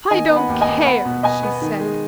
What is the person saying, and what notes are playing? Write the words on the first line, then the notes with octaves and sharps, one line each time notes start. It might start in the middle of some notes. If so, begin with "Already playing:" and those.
"I don't care," she said.
D#3 D#5 G#5
B3
F#5 B5
D#2
D#5 G#5
D#2
B3 F#5 B5
B2
B2 D#5 G#5
B3
D#3
G#3